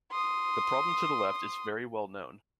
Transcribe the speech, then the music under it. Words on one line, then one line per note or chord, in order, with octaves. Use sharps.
The problem to the left is very well known.
C6 D#6